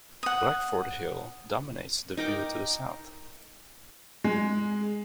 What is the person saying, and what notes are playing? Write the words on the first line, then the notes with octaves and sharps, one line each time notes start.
Blackford Hill dominates the view to the south.
F#5 D#6
D#4 A#4 G5 D6
G#3